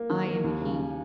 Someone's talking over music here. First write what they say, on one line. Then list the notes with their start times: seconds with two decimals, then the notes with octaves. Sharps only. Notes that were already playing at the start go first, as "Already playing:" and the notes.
"I am he."
Already playing: A#3
0.10 D#3
0.27 A#3
0.44 D#2
0.62 C#3